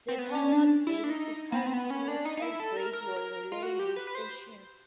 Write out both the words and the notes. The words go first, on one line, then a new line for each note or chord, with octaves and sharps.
The tower base is currently used as radio relay link station.
C4
B3
C#4
D4
E4
D4
D#4
A#3
B3
C4
B3
C#4
D4
D#4
D#4
E4
A4
A#4
A#4
A#4
F4
F#4
G4
B4
B4
C5